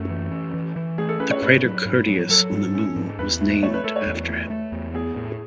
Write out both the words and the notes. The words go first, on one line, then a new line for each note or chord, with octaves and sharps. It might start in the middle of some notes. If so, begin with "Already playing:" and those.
The crater Curtius on the Moon was named after him.
Already playing: F#2 A3
E3
C#4
E3
E3
A3 G#4
A4
C#4 B4
C#5
G#2 B4
F#3
G#2
F#3
F#3 A4
G#2
C#4
G#2
E2 B4
A3
A3 C#5
B4
A3 A4
C#5
E2
A3
A3
E2
B3 G#4
A2